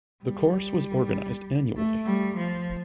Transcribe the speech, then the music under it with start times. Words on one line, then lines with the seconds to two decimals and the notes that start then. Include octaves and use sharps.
The course was organized annually.
0.23 G3
1.77 A3
2.06 G3
2.38 F3